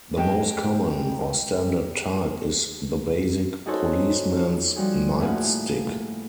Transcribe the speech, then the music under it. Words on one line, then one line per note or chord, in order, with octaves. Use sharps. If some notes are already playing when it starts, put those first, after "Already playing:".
The most common, or standard type is the basic "policeman's nightstick".
C#3 G#3 G4 A4 G5
D#4 F#4 G#4 A4 C5 C#5
F3 G3 F#4 G#4
A2 A#3 G#4 F5 F#5